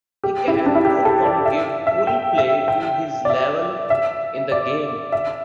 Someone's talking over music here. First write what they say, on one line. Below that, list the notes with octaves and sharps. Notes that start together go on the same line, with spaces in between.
He can often give full play to his level in the game.
G4
E4
G4
D4
E4
G4
A4
D5
E5
E5
G5
E5
G5
D5
E5
E5
D5
E5